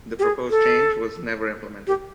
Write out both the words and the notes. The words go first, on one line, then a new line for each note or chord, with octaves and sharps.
The proposed change was never implemented.
G4
G#4
A4
G4